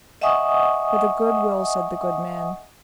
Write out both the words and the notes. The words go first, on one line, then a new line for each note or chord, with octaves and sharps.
With a good will, said the good man.
D#5 E5 F#5 G#5 C#6 D#6